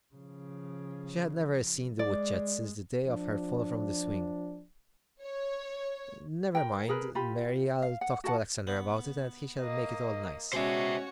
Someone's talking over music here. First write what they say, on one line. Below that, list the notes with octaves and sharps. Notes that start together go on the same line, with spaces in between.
She had never seen the wood-shed since the day of her fall from the swing. "Never mind, Mary, I'll talk to Alexander about it, and he shall make it all nice."
C#3 F3
G#3 D5
F3 D4
C#5
A#4 G5
G#4 A#4 B4
F4 G4 B5
F5
F#5
F#4 A4 F#5 A5
B3
A#3 D#5
B2 G#3 C#4 D4 F#4 C5 C#5 E5